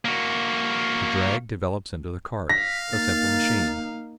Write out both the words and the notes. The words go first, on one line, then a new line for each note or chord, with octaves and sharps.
The drag develops into the cart, a simple machine.
A#3 F#4
F5 A#6 B6
A#3 D#4 A6